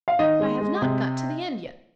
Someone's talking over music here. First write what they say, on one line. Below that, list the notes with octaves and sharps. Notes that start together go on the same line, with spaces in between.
But I have not got to the end yet.
F5
D#3 D#5
G#3
G#3
C3